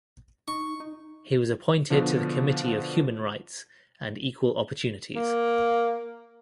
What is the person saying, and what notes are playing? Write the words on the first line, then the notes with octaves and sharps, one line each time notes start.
He was appointed to the committee of human rights and equal opportunities.
D#4 C#6
D#4
B2 D3 F3 D4
A#3